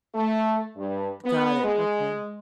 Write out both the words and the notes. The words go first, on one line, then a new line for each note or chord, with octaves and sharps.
Got it, okay.
A3
G2
B3
G#3